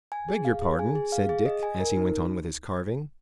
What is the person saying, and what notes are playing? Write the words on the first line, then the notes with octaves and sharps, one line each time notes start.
"Beg your pardon," said Dick, as he went on with his carving.
G#5
G#4
F5
G#4
G#5
G#4
F5
G#4
D#5
G#5
A#4
D#4